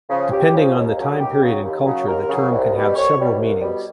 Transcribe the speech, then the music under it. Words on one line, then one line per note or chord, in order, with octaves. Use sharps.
Depending on the time period and culture, the term can have several meanings.
C#3 F3
C#2 G4
C#3 F3
D#2
C#3 F#3
D#2 G4
C#3 F#3
D#2
C#3 F#3
D#2 A#4
C#3 F#3
C2
B2 G3
C2 C#5
B2 G3
C2
B2 G3